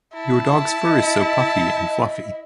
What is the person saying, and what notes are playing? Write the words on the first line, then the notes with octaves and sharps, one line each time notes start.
Your dog’s fur is so puffy and fluffy.
E4 A5
D#5